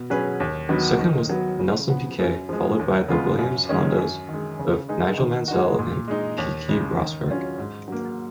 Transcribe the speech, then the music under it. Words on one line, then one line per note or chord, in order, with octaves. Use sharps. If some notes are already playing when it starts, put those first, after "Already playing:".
Second was Nelson Piquet, followed by the Williams-Hondas of Nigel Mansell and Keke Rosberg.
Already playing: B2
F#3 C#4 G#4 B4
D#2
D#3 F#3 B3
D#3
F#3 B3
C#3
F3 B3 F#4
F#2
F3 G#3
D#2
C#3 G#3 B3 F4
F#2
D#3 G#3 C#4
F#2
D#3 G#3
C#3
G#3 D#4 G#4
D#3
G#3 D#4 F#4
A#2
G#3 D#4
D#2
C#3 G#3
D#3
F#3 C#4 F4
G#2
F#3 A#3